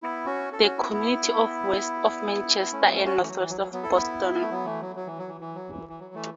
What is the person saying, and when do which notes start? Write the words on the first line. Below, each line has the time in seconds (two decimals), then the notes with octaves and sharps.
The community is west of Manchester and northwest of Boston.
0.03 B3 E4
0.26 C#4 F#4
0.52 A4
0.63 C#4 F#4
0.77 B3 E4
0.92 B3 E4
2.62 B3
2.72 A3 C#4
2.82 F#3 B3
2.94 A3 C#4
3.05 C#4 F#4
3.17 E3
3.23 A3
3.27 F#3
3.39 E3
3.49 F#3
3.61 F#3
3.72 F#3 B3
3.83 E4 A4
3.95 B3 E4
4.41 A3
4.50 F#3 B3
4.65 E3 A3
4.81 F#3
4.96 F#3
5.07 E3
5.18 F#3
5.28 E3
5.41 E3
5.55 F#3
5.70 E3
5.89 E3
6.00 F#3
6.14 E3 A3